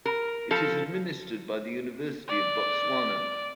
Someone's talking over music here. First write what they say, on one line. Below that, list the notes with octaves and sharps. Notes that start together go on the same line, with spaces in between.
It is administered by the University of Botswana.
A#4
F3 A4
D5